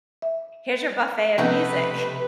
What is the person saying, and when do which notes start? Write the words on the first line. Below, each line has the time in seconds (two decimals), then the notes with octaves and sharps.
here's your buffet of music.
0.22 E5
1.38 C3 F3 A3 B3 C#4 D#4 B4 F#5